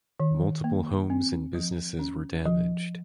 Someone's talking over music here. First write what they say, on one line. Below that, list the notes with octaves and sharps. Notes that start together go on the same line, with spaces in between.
Multiple homes and businesses were damaged.
D#3
A#3
C4
F3
C#4
F3